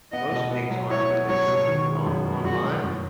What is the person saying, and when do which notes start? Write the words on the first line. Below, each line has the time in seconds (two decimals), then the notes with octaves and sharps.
most things aren't what they seem on online.
0.12 B3 D#5
0.32 B2
0.51 B3
0.70 F#3
0.90 E4 C#5
1.09 B3
1.29 F#3 C#5
1.48 B2
1.67 D#3
1.86 G#3
2.06 F#2
2.25 G#3
2.44 F#2 F#4
2.63 F#2
2.83 F#2